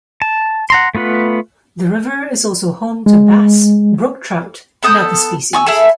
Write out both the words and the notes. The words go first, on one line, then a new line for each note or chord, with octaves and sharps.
The river is also home to bass, brook trout, and other species.
A5
F#5 A#5 C6
A3 B3 F4 B4
G#3
B3 A4 D#6 G6
G#5 C#6 D#6 E6
E4 G#4 A4